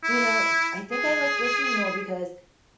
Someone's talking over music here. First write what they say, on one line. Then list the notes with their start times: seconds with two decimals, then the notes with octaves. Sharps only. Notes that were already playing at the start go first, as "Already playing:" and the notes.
you know, I think I like listening more because
0.03 E4
0.92 G#4